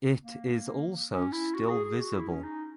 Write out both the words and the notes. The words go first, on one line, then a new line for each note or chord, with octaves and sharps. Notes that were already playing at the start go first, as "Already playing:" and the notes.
It is also still visible.
A#3
C#4
E4
F#4
G#4
G#4
F#4
E4
C#4
D#4